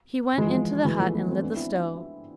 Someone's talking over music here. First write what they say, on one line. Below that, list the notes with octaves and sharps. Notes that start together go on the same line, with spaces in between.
He went into the hut and lit the stove.
E3 G#3
F3
E3 G#3
B3
F3 A3
G#3 B3
A3 C4
B3 D4
C4 E4